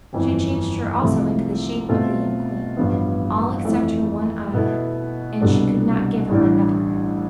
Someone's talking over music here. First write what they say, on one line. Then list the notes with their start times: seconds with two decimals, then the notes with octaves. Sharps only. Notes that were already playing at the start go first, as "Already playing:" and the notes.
She changed her also into the shape of the young queen, all except her one eye, and she could not give her another.
0.13 G1 F2 E3
1.01 C2 C3 F3 A3
1.89 B2 A3 C4 F4 A4
2.77 A1 G2 F3 B3
3.65 F2 E3 A3
4.53 B2 B3 E4 A4
5.41 C2 B2 G3 D4 A4
6.29 A1 A2 E3 G3 D4